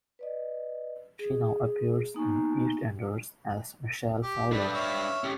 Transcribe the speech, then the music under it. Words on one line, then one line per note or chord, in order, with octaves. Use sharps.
She now appears in "EastEnders" as Michelle Fowler.
B4 D5 D#5
G#4
A#3 B3 D#4 G#5 A#5 C#6
G4
A3 D4 B4
C#5 E5 F5
C#4 G4